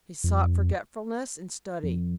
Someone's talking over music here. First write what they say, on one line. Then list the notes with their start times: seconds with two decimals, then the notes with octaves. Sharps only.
He sought forgetfulness in study.
0.24 F2
1.83 F2